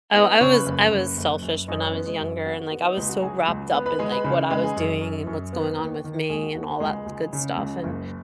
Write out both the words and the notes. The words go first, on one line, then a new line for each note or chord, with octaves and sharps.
Oh, I was I was selfish when I was younger, and, like, I was so wrapped up in, like, what I was doing, and what's going on with me, and all that good stuff, and,
B3 D#4 D#5
C#3 C#5 C#6
B4 B5
F#1
F#1
F#1
F#2
F#2 D#4 D#5
C#4 C#5
B3 B4
G#3 G#4
F#2 F#4
B3 F#4
B3 F#4
D#4
C#2 D#4
F#4
F#3 G#4 G#5
C#2
B3 B4 B5
B4 B5
G#3 G#4 G#5
B4 B5
C#3 B4 B5
G#3 B4 B5
G#4 G#5
F#2
F#2
F#2
B3
D#2
D#3
D#2 G#3 G#4
F#4
D#2 F#4
F#4
C#2 G#3 G#4
C#2
C#3
C#2
F#1